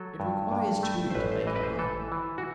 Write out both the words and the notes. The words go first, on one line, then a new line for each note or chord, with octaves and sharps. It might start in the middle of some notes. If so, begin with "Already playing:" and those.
It requires two to make a home.
Already playing: F#3 A4
G2
G2
A3
C5
A1 B4
C5
E3 D#5
B4
C5
E3 A4
E3
F#4